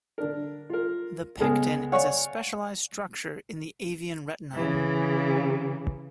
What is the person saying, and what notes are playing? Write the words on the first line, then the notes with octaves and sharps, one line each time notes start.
The pecten is a specialised structure in the avian retina.
D3 D4 A#4
F4 A#4
C#2 G#3 B3 A4 A#4 G#5
C#5 D5 F5 F#5 G#5 C#6
C#3 E3